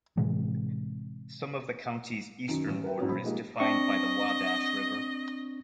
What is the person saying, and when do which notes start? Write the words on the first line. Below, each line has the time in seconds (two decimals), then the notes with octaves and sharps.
Some of the county's eastern border is defined by the Wabash River.
0.17 A2 C3 E3 G#3
2.48 F#2 D#3 D7
2.68 A1
2.84 A#4 B4 G5
2.98 G#2 F#3 C#4 F#4
3.09 B1 C5 B5
3.24 F3 G#3 A#3 D#4 G4
3.60 C4 D4 D#5 C#6